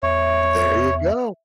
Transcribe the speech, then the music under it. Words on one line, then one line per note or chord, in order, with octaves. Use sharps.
There you go.
E2 C#5 E5